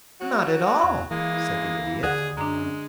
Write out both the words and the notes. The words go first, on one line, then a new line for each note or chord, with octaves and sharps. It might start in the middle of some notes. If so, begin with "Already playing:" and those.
"Not at all," said the Idiot.
F#3 F#4
E2 C#6
E3 G#3 A#3
D#2 D3 G#4 F#5
F#2 G#3 D4 A#5